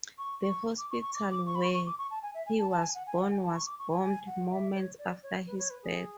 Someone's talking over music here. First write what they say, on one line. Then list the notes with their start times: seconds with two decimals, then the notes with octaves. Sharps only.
The hospital where he was born was bombed moments after his birth.
0.18 C#6
0.42 C#6
0.78 D6
0.90 C#6
1.02 C#6
1.15 D6
1.30 D6
1.46 C#6
1.55 B5
1.62 C#6
1.74 C#6
1.86 D6
1.98 C#6
2.11 A5
2.22 G#5
2.35 E5
2.46 G#5
2.58 A5
2.71 A5
2.82 G#5
2.95 F#5
3.07 G#5
3.18 F#5
3.31 G#5
3.43 A5
3.55 C#6
3.66 D6
3.79 C#6
3.91 G#5
4.02 G#5
4.27 F#5
4.51 E5
4.75 C#5
4.98 D5
5.23 C#5
5.47 B4
5.59 C#5
5.70 B4
5.83 G#4